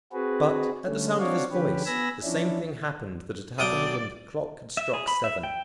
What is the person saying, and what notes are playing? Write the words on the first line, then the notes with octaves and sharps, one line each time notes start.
But at the sound of his voice the same thing happened that had happened when the clock had struck seven.
C4 F#4 G#4 B4
D3 G3 A3 C#4
C4 D4 F#4 C#5 D5 F5
D3 F3 C#4 G4 B4
B3 G#5 B5 E6 A#6
F3 C#4 D4 E4
B1 D5 G5 D#6
E5
G#4
B5
E5
G5